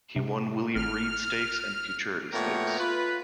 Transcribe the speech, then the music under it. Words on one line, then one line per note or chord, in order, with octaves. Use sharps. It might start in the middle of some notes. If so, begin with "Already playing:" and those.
He won William Reid Stakes and Futurity Stakes.
C3
G#1 F6
A#2 A3 B3 A#4 C#5 G5
F4 B4